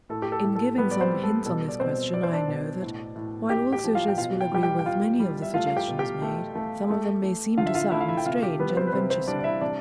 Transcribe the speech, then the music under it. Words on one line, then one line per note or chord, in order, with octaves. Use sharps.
In giving some hints on this question, I know that, while all Socialists will agree with many of the suggestions made, some of them may seem to some strange and venturesome.
A2 A4
G4
A4
A2
A4
G3 B3 B4
D5
C4 C5
G3
A4
B2 A4
D5
B2 C4 C5
B2 D5
C5
D4 D5
B2
A2
A2
A2 G4 G5
G4 G5
F3
F4 F5
G5
B2 F4 F5
G5
G3 G4 G5
G4 G5
G5
G3 F4 F5
G3
E5
A3 F4 F5
F5
G4 G5
B2
G4 G5
A3
A3
A3
A3
D3 F4 F5
E5
F4 F5
A3 E4 E5
F5
E4 E5
G5
C3 F4 F5
G4
G3 B3 B4
B4
C4 C5
B4
C3 C4 C5
C4 C5
G3 D4 D5
D5
E4 E5
C3 D4 D5